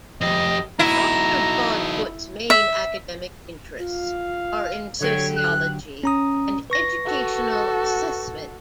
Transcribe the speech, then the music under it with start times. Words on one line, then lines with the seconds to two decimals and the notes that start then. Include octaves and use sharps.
Doctor Broadfoot's main academic interests are in sociology and educational assessment.
0.21 F2 G4 D#5
0.79 D#4 E4 F#4 A#5
2.50 E5
3.79 F4 F5
5.01 D3 F#3 G4 A4 C#5
5.37 F#6
6.04 C#4 A#5 D#6
6.70 B4 C#6 A#6
7.06 F#4 A4